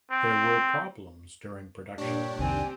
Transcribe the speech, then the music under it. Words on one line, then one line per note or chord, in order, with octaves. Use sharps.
There were problems during production.
C4
G2 A#2 D4 G4 C#5 C#6
C2 F2 D#3 C4 G4 G#5